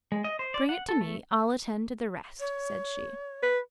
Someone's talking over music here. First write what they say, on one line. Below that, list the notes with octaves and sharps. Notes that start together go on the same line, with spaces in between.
"Bring it to me; I'll attend to the rest," said she.
G#3
D#5
C5
D5
F#5
A4
A3
C#5
B4